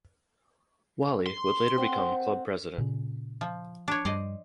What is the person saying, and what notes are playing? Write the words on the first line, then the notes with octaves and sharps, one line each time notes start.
Whalley would later become club President.
C6
C4 F#5
A#2 C#3
F3
D4 C#5
G2 C5 D5 D#5